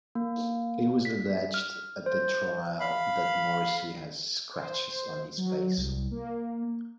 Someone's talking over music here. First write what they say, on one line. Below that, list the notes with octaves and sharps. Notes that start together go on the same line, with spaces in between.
It was alleged at the trial that Morrissey had scratches on his face.
A#3
B6
F6
C5
F5 B5
C5
F#3
C2
A#3